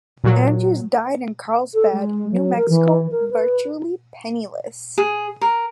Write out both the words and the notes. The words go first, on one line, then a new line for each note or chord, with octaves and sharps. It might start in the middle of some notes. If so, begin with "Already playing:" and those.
Andrews died in Carlsbad, New Mexico virtually penniless.
A#2 F#3
A4
G#3
F#3
A#4
E3
A#4
B4
G#4
A#4